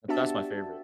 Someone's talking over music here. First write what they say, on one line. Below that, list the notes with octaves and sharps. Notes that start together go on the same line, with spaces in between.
th that's my favorite.
B3 D4 F#4 G4 E5 A5